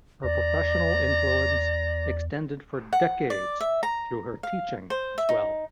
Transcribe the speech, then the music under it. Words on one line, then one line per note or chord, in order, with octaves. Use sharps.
Her professional influence extended for decades through her teaching as well.
E2 D5 A#5
F#5
D5
E5
A#5
F5
C5
E5
D#4